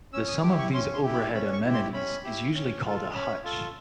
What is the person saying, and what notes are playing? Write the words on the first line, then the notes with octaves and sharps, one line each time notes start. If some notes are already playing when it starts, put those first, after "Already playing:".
The sum of these overhead amenities is usually called a hutch.
C#4 E6
D#6
E4 G4 D6
C#6
C#4 C6
C6
E4 G4
B5
C#4 B5
C#6
E4 G4
C6
C#4 B5
E4 G4
C#4
F4 A4
C#4 B5
F4 A4